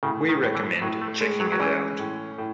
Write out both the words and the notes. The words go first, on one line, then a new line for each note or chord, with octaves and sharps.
We recommend checking it out.
A2 C#3
D#3
A2
E3
A2 F#3
A3
G#3
F#3
F#3
E3 C#4
A2
A2